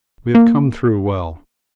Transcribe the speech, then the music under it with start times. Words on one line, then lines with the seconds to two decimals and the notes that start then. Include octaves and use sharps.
We have come through well.
0.35 A#3